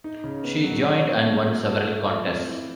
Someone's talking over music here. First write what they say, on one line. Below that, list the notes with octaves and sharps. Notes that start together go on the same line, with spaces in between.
She joined and won several contests.
D#4
C#3
B3
F#3
C#5
C4
A4
F4
A4
A3
F4
C4
E3